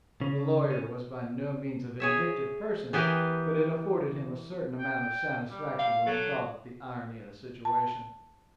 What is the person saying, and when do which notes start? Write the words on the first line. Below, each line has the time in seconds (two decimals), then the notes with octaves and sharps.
The lawyer was by no means a vindictive person, but it afforded him a certain amount of satisfaction when he thought of the irony of the situation.
0.21 C#3
0.70 C#4
2.00 G#4 C#5 E5
2.93 E3 B3 G4 A#4 G#5
4.79 G5
5.50 G3
5.79 F5
6.07 F#3 A4
7.65 A5